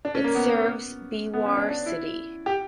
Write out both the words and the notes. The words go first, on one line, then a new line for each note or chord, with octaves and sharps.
It serves Beawar city.
D4
C#4
A#3
B3
B3
C#4
D4
D4
E4
G4